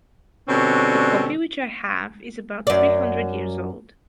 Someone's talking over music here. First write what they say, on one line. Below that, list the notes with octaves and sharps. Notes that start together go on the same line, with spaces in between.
The copy which I have is about three hundred years old.
B2 D3 G3 C4 C#4
F#2 D5